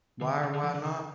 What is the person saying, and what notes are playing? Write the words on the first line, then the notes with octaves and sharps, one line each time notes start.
Why or why not?
D3
C#3
D3
E3
D3
C#3